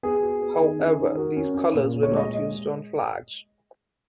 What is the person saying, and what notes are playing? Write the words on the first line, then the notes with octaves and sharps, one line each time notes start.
However, these colors were not used on flags.
B3 G#4
F#4
B3
D#3
C#4
D#3
F#4 A#4
C#4
C#4
A#2
A#2
C#5
G#3
D#5